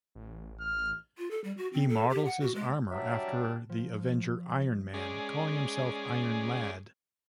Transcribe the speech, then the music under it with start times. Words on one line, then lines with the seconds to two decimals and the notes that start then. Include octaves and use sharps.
He models his armor after the Avenger Iron Man, calling himself Iron Lad.
0.15 A1
0.60 F6
1.18 F4
1.31 A4
1.44 G3
1.57 F#4
1.73 C4
1.89 A4
2.09 G4
2.25 F#5
2.40 F#4
2.55 G#3
2.91 F#3 G3 D4 E5
3.69 F3
4.94 G#3 C#4 G#4 D5